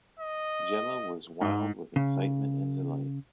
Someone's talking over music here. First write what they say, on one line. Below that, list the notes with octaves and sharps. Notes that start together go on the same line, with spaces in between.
Jemma was wild with excitement and delight.
D#5
G#2
C#3